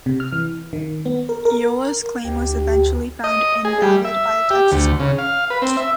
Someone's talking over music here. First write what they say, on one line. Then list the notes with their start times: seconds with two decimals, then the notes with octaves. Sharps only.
Eolas' claim was eventually found invalid by a Texas court.
0.06 C3
0.20 F6
0.33 E3
0.73 D#3
1.06 B3
1.29 A#4
1.45 A#4
2.25 D2 G4
3.24 D#5
3.65 G#4
3.82 G3
4.05 E5
4.50 G4
4.71 D2
5.00 C#3
5.18 F5
5.50 B4
5.62 C4
5.77 E5